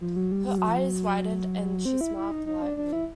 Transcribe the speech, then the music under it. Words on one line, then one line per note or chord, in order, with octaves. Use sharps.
Her eyes widened and she smiled politely.
F3
F#3
G3
G3
F#3
F3
F#3
C4
E4
E4
D#4
D#4
D4
D4
E4